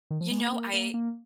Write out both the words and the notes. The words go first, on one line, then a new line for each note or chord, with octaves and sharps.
You know, I
D#3
F3
G#3
A#3
A#3
A#3
A#3